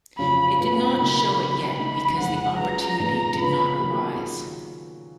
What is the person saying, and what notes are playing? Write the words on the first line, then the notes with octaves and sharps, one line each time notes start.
It did not show it yet, because the opportunity did not arise.
F2 C#3 F#3 C#4 F4 B5
B2 G#3 B3 F4 B5
C#3 F#3 A#3 D#4 A#4
C#3 F#3 B3 F#4 B5
C#3 G#3 D#4 G#4 B5
F2 C#3 G#3 F#5
F#3 C#4 F4 G#4 B4 A#5
A#2 G#3 D#4 G#4 B4
C#3 F3 B3 F4 B4 B5
D#3 F#3 A#3 F4 G#4